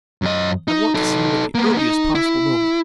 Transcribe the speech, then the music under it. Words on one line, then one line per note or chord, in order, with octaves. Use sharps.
I want to see him at the earliest possible moment.
F#2 D#5
D#4
D#4 A4
A#3 B3
D#4
E4